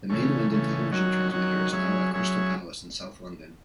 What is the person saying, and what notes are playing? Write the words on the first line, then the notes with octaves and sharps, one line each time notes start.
The main London television transmitter is now at Crystal Palace in south London.
C#3 E3 A3 C#4
C#3 E3 A3 C#4
D#3 F#3 C#4 F#4 C#5
D#3 F#3 C#4 F#4 C#5
F#3 C#4 G#4 C#5 E5
F#3 C#4 G#4 C#5 E5